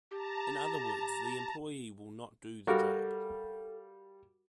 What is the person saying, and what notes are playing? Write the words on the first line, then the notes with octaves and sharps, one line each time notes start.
In other words, the employee will not do the job.
G4 A5 A#5
G3 F#4 A4 A#4 F5